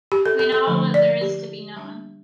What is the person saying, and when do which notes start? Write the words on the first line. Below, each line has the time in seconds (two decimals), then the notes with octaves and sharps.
We know all that there is to be known.
0.12 G4
0.26 A4
0.39 A4
0.52 A4
0.67 D3 F3 A3 D4
0.94 D5
1.21 G4
1.76 G3 D4